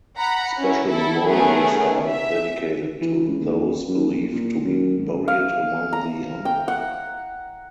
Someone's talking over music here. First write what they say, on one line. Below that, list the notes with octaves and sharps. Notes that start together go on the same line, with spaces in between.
Special memorials are dedicated to those believed to be buried among the unknown.
F#5 A#5 B5
C#4 E4
E4 A4
A3 B3 C#4 G#4 A#4
E5
E3
C#2
D#2
F#2
A#1
A#2
F#2
G#1
F5
A#5
G5
F#5